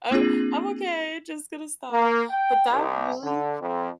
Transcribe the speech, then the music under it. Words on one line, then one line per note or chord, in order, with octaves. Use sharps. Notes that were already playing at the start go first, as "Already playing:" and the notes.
"I I'm okay, just gonna stop." But that really,
A#3 C4 D4 F4 G#4
A#3
G5
C2
D3
F2